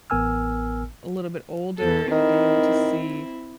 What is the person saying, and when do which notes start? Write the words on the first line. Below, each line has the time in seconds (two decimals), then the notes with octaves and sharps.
a little bit older, and being able to see
0.10 A1 B3 A#4 G#5 E6 F6
1.78 E2 A4
2.11 D#3 C4 E4